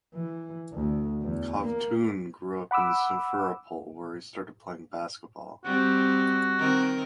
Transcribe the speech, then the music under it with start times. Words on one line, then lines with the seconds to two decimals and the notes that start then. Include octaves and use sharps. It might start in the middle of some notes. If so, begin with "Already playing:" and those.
Kovtun grew up in Simferopol where he started playing basketball.
0.14 E3
0.73 D2
1.22 E2
1.65 A#3
2.71 F#5 B5 D6 E6
5.65 G3 C4 F#4
6.59 D#3 C4 A#4